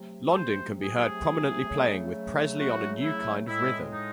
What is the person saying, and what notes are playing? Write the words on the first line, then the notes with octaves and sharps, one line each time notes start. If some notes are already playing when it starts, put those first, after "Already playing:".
Londin can be heard prominently playing with Presley on A New Kind Of Rhythm!
Already playing: C3 F#3 A3
A4
C5
G#4
C#3 F#3 A3
F#4
E4
A2 G#3 E4
D#4